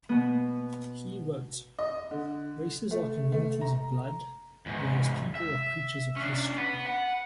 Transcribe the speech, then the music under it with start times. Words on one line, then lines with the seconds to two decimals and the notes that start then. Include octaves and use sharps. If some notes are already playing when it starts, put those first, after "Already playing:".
He wrote:Races are communities of blood, whereas people are creatures of history.
0.09 B2 B3
1.79 D#5
2.11 D3
2.91 A3
3.32 A3
3.61 A#5
4.66 E2 G#2
5.35 E5
6.17 C#4 D4
6.58 B3 B4
6.87 F#5